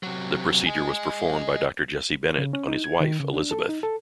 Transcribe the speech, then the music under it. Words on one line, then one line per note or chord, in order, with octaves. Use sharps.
The procedure was performed by Doctor Jesse Bennett on his wife Elizabeth.
C3 F#3
D#5 G#5
C#3
C#4
D#4
G#6
D#3
C#3
D4
A4
D#4
A4